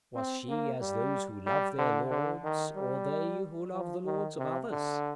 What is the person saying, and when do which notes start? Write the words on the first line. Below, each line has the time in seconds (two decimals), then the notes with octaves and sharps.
Was she as those who love their lords, or they Who love the lords of others?
0.15 C4
0.49 A#3
0.81 G3
1.46 G3
1.79 D3
2.10 D3
2.44 D#3
2.76 G3
3.73 F3
4.05 D#3
4.38 C3
4.71 D3